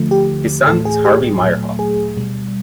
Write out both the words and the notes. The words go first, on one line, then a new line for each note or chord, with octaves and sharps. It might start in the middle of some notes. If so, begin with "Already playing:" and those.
His son is Harvey Meyerhoff.
Already playing: D3 F3 A3
G4
A2 E3 A3 A4
G#4
G4
A#2 F#3 A3
G#4
B2 G3